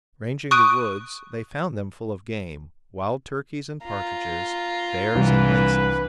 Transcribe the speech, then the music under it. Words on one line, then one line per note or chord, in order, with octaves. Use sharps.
Ranging the woods, they found them full of game, wild turkeys and partridges, bears and lynxes.
C#6 D#6 F#6 D7 D#7
F4 A#5
C2 E3 D4 B4